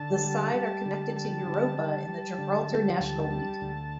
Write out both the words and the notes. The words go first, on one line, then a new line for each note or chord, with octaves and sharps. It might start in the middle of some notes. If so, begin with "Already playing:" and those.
The side are connected to Europa in the Gibraltar National League.
Already playing: D3 A5
G3
G3
D3
G3 A5
D3
G3
G3
D3
G3
D2
G3
D2